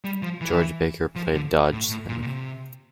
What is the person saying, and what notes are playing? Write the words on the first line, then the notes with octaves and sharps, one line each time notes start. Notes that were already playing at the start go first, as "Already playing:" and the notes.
George Baker played Dodgson.
G3
F3
E3
F3
D3
A2
A2
A#2
A#2
C3